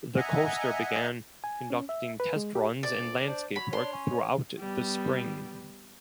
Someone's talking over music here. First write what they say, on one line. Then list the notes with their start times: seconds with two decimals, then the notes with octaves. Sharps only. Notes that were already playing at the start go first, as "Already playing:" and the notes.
The coaster began conducting test runs and landscape work throughout the spring.
0.17 D#5 E5 F#5 G#5 A#5
1.44 G#5
1.70 C#4
1.89 E5
2.20 B4
2.36 G#3
2.55 G4
2.83 D2 D5
3.27 D4 C5
3.56 F#3 C#5 B5
3.73 D4 C6
3.93 C#4
4.60 G3 B3